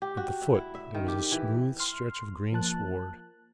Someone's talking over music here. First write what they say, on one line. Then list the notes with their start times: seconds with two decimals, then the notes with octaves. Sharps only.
At the foot there was a smooth stretch of green sward.
0.02 G4
0.17 F#4
0.42 E5
0.55 E4
0.75 E5
0.95 D#3
1.08 G4
1.32 E3
1.79 C6 F6
2.52 F3 A#3 A5 F#6